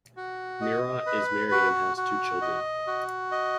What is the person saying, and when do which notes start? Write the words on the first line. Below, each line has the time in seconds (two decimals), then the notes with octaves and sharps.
Murat is married and has two children.
0.17 F#4
0.61 D#5
1.06 B4
1.52 F#4
1.97 F#4
2.42 D#5
2.87 F#4
3.32 D#5